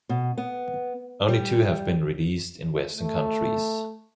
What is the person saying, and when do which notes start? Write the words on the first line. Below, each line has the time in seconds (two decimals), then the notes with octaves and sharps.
Only two have been released in Western countries.
0.09 B2
0.38 B3
1.28 G3
2.95 A3